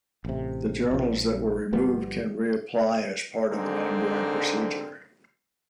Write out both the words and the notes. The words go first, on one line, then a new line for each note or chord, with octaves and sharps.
The journals that were removed can reapply as part of an ongoing procedure.
A1 C3
A#1 F3
G1 F3 G3 B3
G#2 D3 A#3 C4